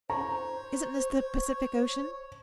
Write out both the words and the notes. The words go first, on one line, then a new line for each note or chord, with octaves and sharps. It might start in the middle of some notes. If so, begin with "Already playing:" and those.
"Isn't this the Pacific Ocean?"
C5 C#5 A#5